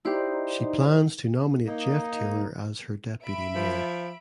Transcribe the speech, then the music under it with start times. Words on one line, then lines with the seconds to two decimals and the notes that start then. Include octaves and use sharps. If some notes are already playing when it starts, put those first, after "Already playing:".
She plans to nominate Geoff Taylor as her deputy mayor.
0.05 D#4 E4 G4 C5 D5 C6
1.67 A#3 D#4
3.23 E5 B5 D7
3.55 F3